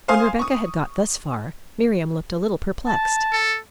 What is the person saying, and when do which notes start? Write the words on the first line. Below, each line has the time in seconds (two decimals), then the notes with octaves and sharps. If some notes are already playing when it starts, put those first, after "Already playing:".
When Rebecca had got thus far, Miriam looked a little perplexed.
0.08 C5 F5 G#5 C6 D#6
0.39 C#6 D#6
2.87 A5
3.32 A4